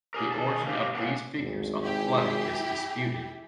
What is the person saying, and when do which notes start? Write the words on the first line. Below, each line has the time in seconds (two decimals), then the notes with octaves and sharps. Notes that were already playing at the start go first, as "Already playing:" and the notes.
The origin of these figures on the flag is disputed.
0.14 G4 G#4 A#4
0.32 D#3 G#4 A5
0.66 A#3 C4 D4 G4
0.95 A2 A#3 C#4 G4 B4 F#5
1.39 G#1 D2
1.82 E4 G4 G#4